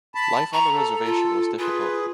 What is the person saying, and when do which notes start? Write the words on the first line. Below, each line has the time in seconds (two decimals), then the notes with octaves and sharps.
Life on the reservation was difficult.
0.15 A5 B5
0.53 A#5 C#6
0.73 A4
1.05 F4
1.58 F4 G#4 B4